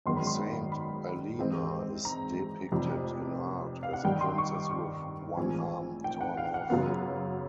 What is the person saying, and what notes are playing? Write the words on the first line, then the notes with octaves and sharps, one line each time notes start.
Saint Alena is depicted in art as a princess with one arm torn off.
G#1 F#2 D#3 G#3 B3 C6
B5
C6
B5
G#2 E3 G#3 C4
A#5
F1 F2 C3
F5
F#5
G2 D#3 G3 G5
C6
C#6
D6
C#6
A#1 A2 E3 G#3 C4 G#5
G5
F#5
F5
G5
F#5
F#2 C#3 F#3 B3 F5